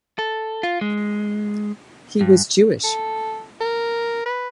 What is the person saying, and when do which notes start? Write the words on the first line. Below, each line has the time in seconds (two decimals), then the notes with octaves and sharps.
He was Jewish.
0.19 A4
0.63 F4
0.81 G#3
2.21 G2
2.84 A4
3.61 A#4
4.26 B4